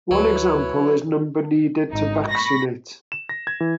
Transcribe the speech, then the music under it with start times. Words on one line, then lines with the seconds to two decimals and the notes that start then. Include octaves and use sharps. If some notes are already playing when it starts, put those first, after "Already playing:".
One example is number needed to vaccinate.
0.11 D2 F#3 E4 B4 C#5
1.89 G#1 D#4
2.29 B5 C#6 A#6
3.12 E7
3.29 A#6
3.47 G#6
3.60 E3